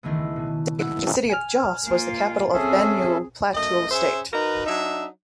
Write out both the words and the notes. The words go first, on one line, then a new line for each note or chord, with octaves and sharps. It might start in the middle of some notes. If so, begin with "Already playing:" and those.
The city of Jos was the capital of Benue-Plateau State.
C#2 D#3 E3 A3 B3
B2 C#4
A3 E4 F#5
G#5 F6
A#3 F4
C4 C#4 G#4 A4 E5
F#2 A3 D#5
C#4 G#4 C5 E5
D#4 F#4 A#4 B4
F#3 D4 D#4 E5